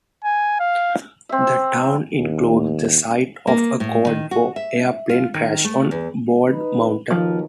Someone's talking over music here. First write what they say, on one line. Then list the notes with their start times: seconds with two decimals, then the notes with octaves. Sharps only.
The town includes the site of a Cold War airplane crash on Bald Mountain.
0.24 G#5
0.60 F5
1.29 C4 E5
2.18 D#2
3.47 A#3
3.80 A2
4.07 D#3
4.31 F#4
4.56 E5
5.09 F4
5.34 D#3
5.64 A3
5.91 E2
6.46 D#4 B4
7.11 D#2 B2 D#3 F3